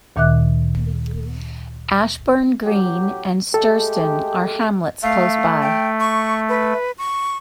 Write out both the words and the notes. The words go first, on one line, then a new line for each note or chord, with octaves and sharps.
Ashbourne Green and Sturston are hamlets close by.
D2 A#2 D#3 E5 D6 F#6
A1 F#3 G4
G#3 A3 G4 A4
A3 F5
G5
C#6
B4
C#6